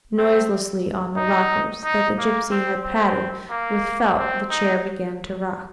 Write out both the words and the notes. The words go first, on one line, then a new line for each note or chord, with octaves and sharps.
Noiselessly on the rockers that the gipsy had padded with felt the chair began to rock.
C4
D#4
D#4
A#3
C4
C4
A#3
C4
D#4